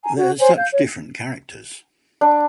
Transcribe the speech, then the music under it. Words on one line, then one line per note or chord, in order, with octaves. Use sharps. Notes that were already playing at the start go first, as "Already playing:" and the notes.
They're such different characters.
G#5 A#5
F#4
C5 C#5 G#5
F5 G6
C#5
D4